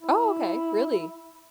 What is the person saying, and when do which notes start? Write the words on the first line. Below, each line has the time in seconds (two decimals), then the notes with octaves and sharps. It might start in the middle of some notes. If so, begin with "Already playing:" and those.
Oh, okay. Really?
0.01 E4